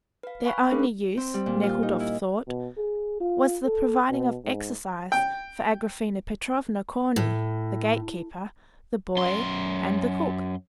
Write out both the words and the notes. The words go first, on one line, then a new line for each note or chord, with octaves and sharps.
Their only use, Nekhludoff thought, was the providing of exercise for Agraphena Petrovna, Corney, the gate-keeper, the boy, and the cook.
B4 F5
F5 G#5 B5 C#6 F#6
A3 C#4 D4 G#4 A#4 B4
C4
G3
A#2
F4
D#4
E4
B2
G#4
F4
A4
B2
G#2
G5
A2
F#2 C6